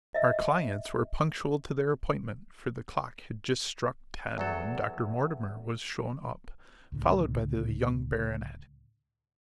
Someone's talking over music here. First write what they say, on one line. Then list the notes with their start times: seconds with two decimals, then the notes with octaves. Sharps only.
Our clients were punctual to their appointment, for the clock had just struck ten when Dr. Mortimer was shown up, followed by the young baronet.
0.15 D#5 E5
4.38 E2 F#3 A4
6.92 C#2 A2 D3